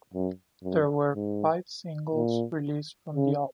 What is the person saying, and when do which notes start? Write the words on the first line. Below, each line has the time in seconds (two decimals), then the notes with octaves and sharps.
There were five singles released from the album.
0.14 F#2
0.63 F#2
1.15 G#2
2.15 A#2
3.15 C#3